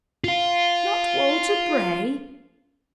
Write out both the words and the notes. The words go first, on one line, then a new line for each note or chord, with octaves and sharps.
'Not Walter Bray!
F4 F5